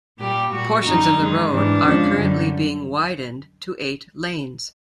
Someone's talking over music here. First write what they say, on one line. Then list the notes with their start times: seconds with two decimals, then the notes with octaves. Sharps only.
Portions of the road are currently being widened to eight lanes.
0.18 A#2 G3 G4
0.51 A#2 G3 F#4
0.84 F#2 D#3 G3 D#4
1.17 F#2 D#3 G#3
1.49 G#2 E3 G3 D4
1.82 F2 C#3 F3 G#3
2.15 F#2 D3 G3